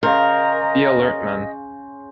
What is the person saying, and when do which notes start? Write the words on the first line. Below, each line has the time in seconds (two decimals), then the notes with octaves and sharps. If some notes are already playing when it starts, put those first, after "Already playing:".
Be alert, men!
0.03 C#3 A#4 C5 D#5 F5